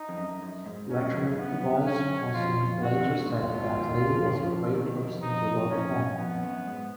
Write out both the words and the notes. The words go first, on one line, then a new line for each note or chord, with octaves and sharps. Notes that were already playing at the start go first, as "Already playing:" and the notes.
Veteran Roy Sproson later said that Lee was a great person to work for.
Already playing: D#4
F2
F#2
F#2
G#2
G#2 C#4
F#2
F2
F#2
F#2 B3
F#2
C#4
F2 F4
F2
F2 F#4
D#3
A#2 C#3
G#2
A#2 F4
A#2
G#2 B2
F3
B2 D#3
F3
D#3
C#3 F3
B2 D#3
B2 D#3
F#2
F2
F2 D#4
F2 C#4
F#2
F2 B3
F#2
G#2